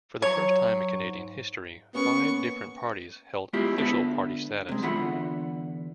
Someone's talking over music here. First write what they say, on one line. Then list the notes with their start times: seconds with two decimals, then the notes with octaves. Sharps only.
For the first time in Canadian history, five different parties held official party status.
0.22 F#3 C#5
0.93 G#2
1.95 A#3 B3 C#4 C#6
3.53 G#3 B3 E4 F4 G4
3.78 D3 B3 B4 E5 A5
4.69 C3 G#3
4.83 E2 D3 F4 E5 F#5 B5